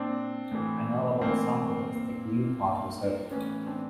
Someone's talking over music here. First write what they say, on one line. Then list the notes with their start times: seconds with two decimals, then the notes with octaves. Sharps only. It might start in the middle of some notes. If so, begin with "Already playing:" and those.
A notable example is the Gluepot Reserve.
Already playing: A#2 C4 D4
0.52 A2 E3
1.21 A2 E3 A#3 C4
1.91 A#2
2.61 A#2
3.31 A2 E3 B3 C#4
3.66 C4 D4